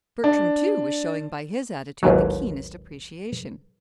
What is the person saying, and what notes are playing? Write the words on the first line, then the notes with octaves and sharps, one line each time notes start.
Bertram, too, was showing by his attitude the keenest appreciation.
D4
A1 D#2 G#2 F#3